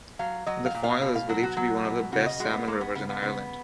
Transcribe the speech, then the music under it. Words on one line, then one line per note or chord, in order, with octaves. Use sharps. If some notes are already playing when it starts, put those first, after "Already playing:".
The Foyle is believed to be one of the best salmon rivers in Ireland.
F#3 F5
F#3 D#5
F5
A#2
F5
B2 F5
F5
F#3 F#4
F#4
F#3
B2
C#3 F#4
D#5
G#3 F#4
B3
G#3 A#3
B3
C#3 B3
B3
C#3 B3